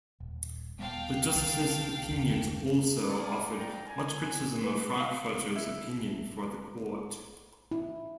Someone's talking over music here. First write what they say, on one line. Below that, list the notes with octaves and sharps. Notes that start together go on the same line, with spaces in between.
The justices' opinions also offered much criticism of Frankfurter's opinion for the court.
D#1
D#1 G3 B3 F5 G5 A5
C2 D#3
F#1 D#2
A#3 G4 G#4 D5
F2 A#2 D5 G5 A#5
G#5
B4
F5
E4
E4